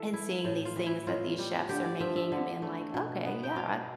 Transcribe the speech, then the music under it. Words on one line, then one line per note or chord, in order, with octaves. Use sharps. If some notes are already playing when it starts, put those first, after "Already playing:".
and seeing these things that these chefs are making, and being like, "Okay. Yeah,
Already playing: E3 A4
E4
A2
F4
E3
E4
A2 F4
G3
D3 G4
D5
F3 E5
E5
D3
A3
B2
B3
G5
B2 F5